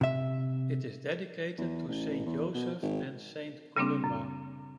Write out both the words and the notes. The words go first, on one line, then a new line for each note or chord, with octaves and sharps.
It is dedicated to Saint Joseph and Saint Columba.
C3 E5
E2
A1
E2
B2
G#1
C#3 G3 A#3 C4 D4
F#2